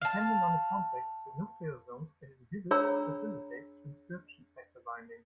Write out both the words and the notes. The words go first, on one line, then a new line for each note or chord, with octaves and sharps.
Depending on the context, nucleosomes can inhibit or facilitate transcription factor binding.
F5 A5
D4 G#4 C#5 A#5 B5 E6